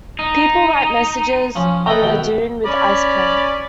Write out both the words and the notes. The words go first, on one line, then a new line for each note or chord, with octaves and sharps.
People write messages on the dune with ice plant.
D#4
F3 C#4
A4 B4 D#5 E5 G5 A#5
D#2 B2 G5
C#4 D5 B5